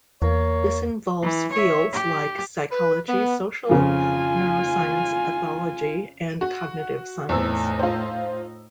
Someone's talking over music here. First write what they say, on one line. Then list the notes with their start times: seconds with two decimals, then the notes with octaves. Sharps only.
This involves fields like psychology, social neuroscience ethology, and cognitive science.
0.22 E2 A#3 C#5
1.22 E3
1.52 C#5 E5
1.93 G4
2.71 B4
3.09 B3
3.70 F2 C#3 F4 G#5
6.41 F#4
7.29 E2 A2 C4 D#4 E6
7.79 F4 C5